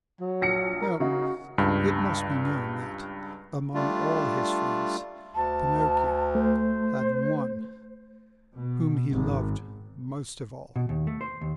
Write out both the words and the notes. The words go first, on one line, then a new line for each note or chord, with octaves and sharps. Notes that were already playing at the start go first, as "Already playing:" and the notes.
Now it must be known that, among all his friends, Pinocchio had one whom he loved most of all.
F#3
A#1 A#6 C#7
A#4
C#3 D#4 F#4
C#2 G2
G3 A3 D4 F4
D2 A5
A3 C5
B2
G#1
B2
D#2
A3
C5
D#2